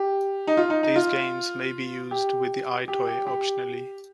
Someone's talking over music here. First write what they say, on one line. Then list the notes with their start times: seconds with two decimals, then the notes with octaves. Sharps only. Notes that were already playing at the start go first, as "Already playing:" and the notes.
These games may be used with the EyeToy optionally.
Already playing: G4
0.47 D#4
0.57 F4
0.70 D#4
0.83 D#4
0.96 F4
2.11 G4
2.88 G4
3.07 G4
3.27 G4